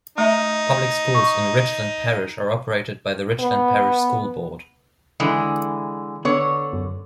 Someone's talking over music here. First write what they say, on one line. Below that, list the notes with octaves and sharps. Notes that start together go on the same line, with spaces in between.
Public schools in Richland Parish are operated by the Richland Parish School Board.
A3 D#4 E5
C#6
B3
D3 E3 G#3
D3 B3 C#5
F#2